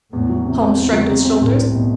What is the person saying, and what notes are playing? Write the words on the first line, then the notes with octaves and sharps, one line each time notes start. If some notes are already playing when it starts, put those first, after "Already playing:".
Holmes shrugged his shoulders.
E2 A2
F#3
C3
C4
E2
F#3
C3
C4
C2 A2
G3
B2